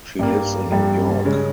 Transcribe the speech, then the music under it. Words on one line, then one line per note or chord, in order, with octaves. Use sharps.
She lives in New York.
G2 G3 A#3
G2 G3 A#3
C#3 G#3 C#4